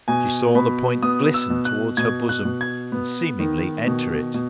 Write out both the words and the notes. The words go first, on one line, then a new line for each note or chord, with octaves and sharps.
She saw the point glisten towards her bosom, and seemingly enter it.
B2 G#5
B2 B5
B3 D#6
E6
B2
F#6
B2 G#6
F#6
B2
G#6
B3
D#3
B2
B2